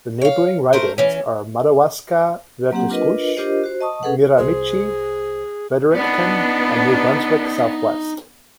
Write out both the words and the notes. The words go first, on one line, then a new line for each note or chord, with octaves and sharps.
The neighbouring ridings are Madawaska-Restigouche, Miramichi, Fredericton, and New Brunswick Southwest.
C#5 F5
A3 A#4 C5
E3 C#4
F#3 A#3 C4 G4 F#5
D4 F4 A#4 B4 D#5
D4 F4 G4 A#4 C5 D#5
F#4 C5
D#5 A5 C#6 D#6
C#4 G#4 A4 B4 F#5
C2 G#4 C5
B3 D4 D#4 D5